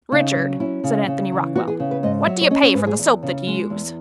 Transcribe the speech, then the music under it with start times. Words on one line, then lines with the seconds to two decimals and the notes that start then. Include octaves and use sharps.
"Richard," said Anthony Rockwall, "what do you pay for the soap that you use?"
0.12 C#3 D#4
0.36 F#3
0.60 C#4 E4
0.84 C#3
1.07 C#3
1.32 E3
1.55 B3 F#4
1.68 G#4
1.80 C#3
1.91 B4
2.03 G#2 D#5
2.27 F#3 E5
2.41 C#5
2.51 C#4 D#5
2.63 C#5
2.75 G#2 B4
2.87 G#4
2.99 E2
3.23 C#3
3.47 G#3
3.70 E2